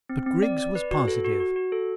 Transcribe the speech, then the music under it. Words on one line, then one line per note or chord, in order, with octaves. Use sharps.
But Griggs was positive.
C4
C4
D5
D5
B4
F#4
A4
F#4
F#4
F#4
A4